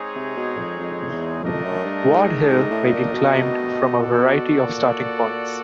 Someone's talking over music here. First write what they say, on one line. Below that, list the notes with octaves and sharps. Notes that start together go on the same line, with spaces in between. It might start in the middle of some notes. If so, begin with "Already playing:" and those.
Ward Hill may be climbed from a variety of starting points.
Already playing: G#3 C4 D#4 G#4 C#5
C3
B2
F2
F2
E2
F2 A3 D4 G4 A#4 D#5
F#2
G2
G#2
G#2
G#2
A2
A#2
B2
B2
B2 F#4 A4 D5
A#2
A#2